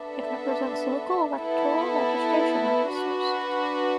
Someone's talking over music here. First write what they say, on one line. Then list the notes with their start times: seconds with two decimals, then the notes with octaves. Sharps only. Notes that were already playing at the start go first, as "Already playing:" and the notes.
It represents local electoral registration officers.
Already playing: B3 D4 A4 E5
1.37 B3 E4 A4
2.92 D4 F#4 B4